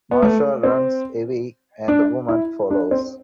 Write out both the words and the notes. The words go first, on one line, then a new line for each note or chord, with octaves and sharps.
Marsha runs away and the woman follows.
B3
A3
C4
D4
E4
D4
C4